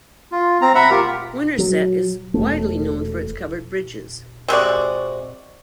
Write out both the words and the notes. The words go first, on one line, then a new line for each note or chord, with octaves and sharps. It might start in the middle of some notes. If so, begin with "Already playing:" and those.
Winterset is widely known for its covered bridges.
F4
C4 A#5
E5 F#5 A#5 B5
F4 G4 A#4
F#3
E1 A3
C3 G#3 F#4 D5